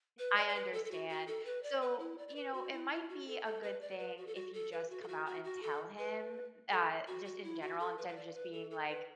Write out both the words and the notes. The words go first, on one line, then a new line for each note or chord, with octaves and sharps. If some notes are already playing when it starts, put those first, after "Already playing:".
I understand. So, you know, it might be a good thing if you just come out and tell him, uh, just in general instead of just being like
B4
D5
D5
B4
A4
A4
F#4
F#4
A4
B4
D5
B4
E4
D5
D5
B4
F#4
E4
E4
F#4
A4
A4
B4
D5
B4
F#4
A4
F#4
A4
B4
F#4
A4
F#4
F#4
F#4
A4
B4
A4
F#4
F#4
E4
F#4
A4
B4
B4
D5
B4
A4
A4
B4